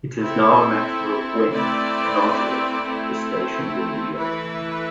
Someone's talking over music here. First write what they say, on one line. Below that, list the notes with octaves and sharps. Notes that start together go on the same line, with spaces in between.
It is now a matter of when, not if, the station will reopen.
C4 E4 A4
A3 C4 E4 B4 D5
A3 C4 E4
E3 A3 E4 B4